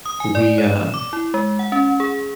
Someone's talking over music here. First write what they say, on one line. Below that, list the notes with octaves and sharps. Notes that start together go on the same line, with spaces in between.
we, um
D#6
G#5
D5
C#5
E7
D6
E4
G#3
F#5
C#4
G#4